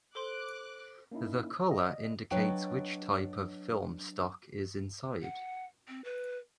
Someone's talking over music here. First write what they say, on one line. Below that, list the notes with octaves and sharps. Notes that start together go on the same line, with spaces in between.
The color indicates which type of film stock is inside.
A4 C5 C6 D6 F#6
A#3 C#4 D#4 E4
D5 D#5
F#3 D4 B4 C#5 D#5 G5
F#5
C4
B4